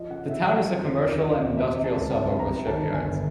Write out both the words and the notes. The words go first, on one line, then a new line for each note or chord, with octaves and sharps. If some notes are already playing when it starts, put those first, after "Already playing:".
The town is a commercial and industrial suburb with shipyards.
Already playing: F3 D#5
C#3 F#5
C#3 E5
C3
F2
F3
D#2 D5
F3
D#5
D#2
C3 E5
C3
A5
C#2
C2 A5
C2
A#5
C2
D#3 A5
G1
G#5
G1